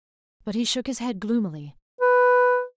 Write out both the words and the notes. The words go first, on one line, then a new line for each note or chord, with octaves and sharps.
But he shook his head gloomily.
B4